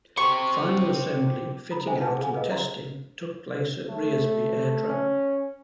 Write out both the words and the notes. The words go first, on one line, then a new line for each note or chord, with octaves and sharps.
Final assembly, fitting out and testing took place at Rearsby aerodrome.
G4 C5 C#6
A#5 B5 D#6
G#4 A4 C5 E5 G5 G#5
E4 B4 F#5 G#5 A5
G#4 A4 F5 F#5 G#5
G#4 A#4 B4 D#5 F5
A#4 A#5 C6
A3
C#4